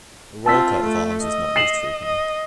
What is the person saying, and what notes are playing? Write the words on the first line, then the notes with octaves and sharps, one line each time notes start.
The royal coat of arms is not used frequently.
C4 F4 A5 E6 B6
A3
D#5
C7 E7 F#7
D#5